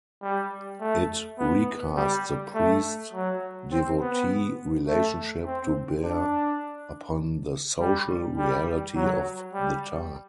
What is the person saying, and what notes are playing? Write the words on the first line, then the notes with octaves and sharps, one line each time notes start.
It recast the priest-devotee relationship to bear upon the social reality of the time.
G3
A3
B3
G3
A3
F#3
C4
B3
A3
C4
D4
G3
G3
F#3
G3